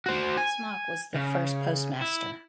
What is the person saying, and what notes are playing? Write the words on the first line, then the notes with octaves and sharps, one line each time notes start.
Smock was the first postmaster.
F#4 C5
G#5
C#3
E4